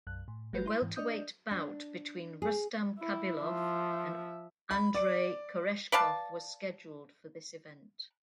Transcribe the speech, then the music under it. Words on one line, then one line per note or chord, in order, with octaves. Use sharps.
A welterweight bout between Rustam Khabilov and Andrey Koreshkov was scheduled for this event.
B1 F#2 F#6
A2
G1 G3 A3 F#4 B4 G6
E4 C6
G#2 E3
D4 D5 D#5 D#6 G6
D4
G#4
E4
F3 E5
B5
D5
B4 D5 F5 A5